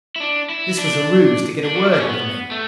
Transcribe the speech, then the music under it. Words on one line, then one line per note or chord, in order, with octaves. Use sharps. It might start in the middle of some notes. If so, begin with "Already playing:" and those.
This was a ruse to get a word with me.
E4
D4
E4
D4
D4
F#4
E4
D4
C#4
B3
A3